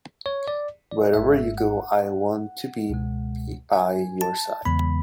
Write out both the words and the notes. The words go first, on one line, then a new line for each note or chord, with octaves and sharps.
Wherever you go, I want to be by your side.
C#5
D5
D5
G#1 G#2 G#3 E5
F#5
C#2 B2 G#3
F#5
G#5
A5
E2 C#3 E3 G#3 B3 B5